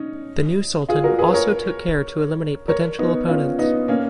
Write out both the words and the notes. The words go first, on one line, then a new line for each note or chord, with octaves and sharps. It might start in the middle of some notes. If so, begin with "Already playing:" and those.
The new Sultan also took care to eliminate potential opponents.
Already playing: C#4 D#4
F4 G#4
F#4 A#4
G#4 B4
A#4 C#5
A#4 C#5
B3 D#4
C#4 F4
B3 D#4
A#3 C#4